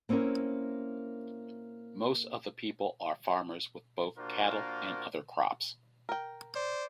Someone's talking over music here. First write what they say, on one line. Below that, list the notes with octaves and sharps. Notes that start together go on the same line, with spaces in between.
Most of the people are farmers with both cattle and other crops.
A#3 C4 C#4 E4 A#4
A#3 D4 F4 F#4 A#4 C5
A#4 G5
C5 D5